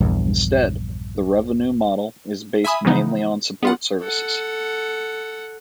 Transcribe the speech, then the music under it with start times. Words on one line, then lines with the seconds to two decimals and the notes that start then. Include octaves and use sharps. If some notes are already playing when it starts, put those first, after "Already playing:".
Instead, the revenue model is based mainly on support services.
0.01 A#1 E2 G2
2.65 E5 G#5 B5 D#6
2.85 C#3 E3 F3 B3 D#4
3.63 B3 F4 F#5
4.00 A4 F#5